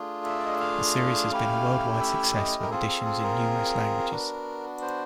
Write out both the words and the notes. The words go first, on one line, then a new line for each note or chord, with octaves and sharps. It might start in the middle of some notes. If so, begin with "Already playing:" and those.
The series has been a worldwide success with editions in numerous languages.
Already playing: A3 D4 F4 G#4
E5
D5
D#5
E5
F5
A3 C#4 E4 G4
E5
D#5
A#4
C4 F4 G#4 A4
A4
A4
A#4
B3 D4 F#4
C5